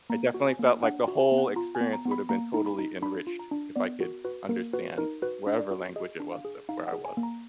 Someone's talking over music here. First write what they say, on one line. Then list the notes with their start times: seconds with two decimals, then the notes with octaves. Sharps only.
I definitely felt like the whole experience would have been totally enriched if I could understand whatever language it was that where I was.
0.10 A#3 A#5
0.34 F#4
0.46 G#5
0.59 A#3
0.83 D4 F#5
1.08 F#4
1.20 G#5
1.32 B3
1.38 F#5
1.56 F4 A#5
1.75 G#5
1.81 B3
1.93 A#5
2.05 B3
2.11 B5
2.29 A#3 A#5
2.54 D#4
2.66 B5
2.79 D#4
3.02 D4 B5
3.27 F4
3.39 A#5
3.51 D4
3.76 B3 D5
4.00 F#4 A#4
4.25 F#4 B4
4.49 A#3 A#4
4.73 F#4 B4
4.98 D#4 A#4
5.22 F#4 B4
5.47 D4
5.59 D5
5.71 F#4
5.96 G#4 D#5
6.20 D4
6.32 F5
6.45 G#4
6.69 D#4 F5
6.87 F#5
6.92 G#4
7.05 G#5
7.17 A#3
7.23 A#5